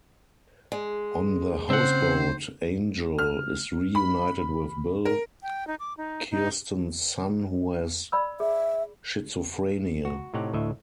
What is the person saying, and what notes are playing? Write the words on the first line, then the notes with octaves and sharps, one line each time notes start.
On the houseboat, Angel is reunited with Bill, Kirsten's son who has schizophrenia.
G#3
C#3 C4 C5 F#5
F6
B5
A#4
G5
D#4
D6
D#4
D#4
D5 B5 E6
G#4 E5
F#4
A2 C3 D#4 G4 C#5 F#5
D2 A2 D#5 E5